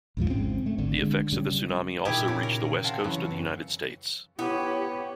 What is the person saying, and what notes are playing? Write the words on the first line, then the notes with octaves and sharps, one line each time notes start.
The effects of the tsunami also reached the West Coast of the United States.
A#1 E2 G#2 F3
G#1 G#2 C#3 C4
A3
G#1 D3
D3 G#3
C#3 G3
A#2 D#3 E4 G4 G#4
C#3
A#4
C3 F5 F#5 A5
F#2 C#3 E3
B3 E4 G4 C#5 D6